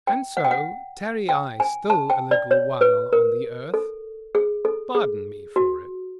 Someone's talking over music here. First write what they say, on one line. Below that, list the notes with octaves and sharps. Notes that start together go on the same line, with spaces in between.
And so tarry I still a little while on the earth--pardon me for it!
G5
F#5
G5
F#5
G5
G#5
A5
G5
D5
C#5
B4
A#4
A4
G#4
A4
G#4
F#4